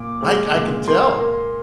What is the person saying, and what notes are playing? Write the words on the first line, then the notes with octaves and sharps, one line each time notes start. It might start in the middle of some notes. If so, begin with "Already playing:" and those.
I ca I can tell.
Already playing: A#2 D6
G#3
A#2
A#3 C6
A#3